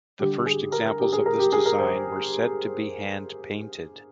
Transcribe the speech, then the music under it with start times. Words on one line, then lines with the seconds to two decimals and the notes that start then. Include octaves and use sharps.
The first examples of this design were said to be hand-painted.
0.19 D3 G3 G4
0.46 G#4
0.72 A#4
0.86 A#4
1.00 G4
1.13 G#4
1.26 A#4
1.39 G4
1.52 G#4
1.66 A#4
1.79 C5